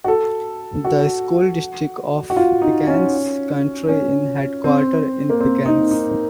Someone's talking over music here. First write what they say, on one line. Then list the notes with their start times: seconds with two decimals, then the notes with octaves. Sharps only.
The School District of Pickens County is headquartered in Pickens.
0.04 F#4
0.08 A4
0.85 F#4
2.30 F#4
2.37 F4
2.62 D#4
2.87 C#4
3.89 C#4
4.64 C4
5.30 A#3
5.41 C4
5.66 D#4
5.91 D#4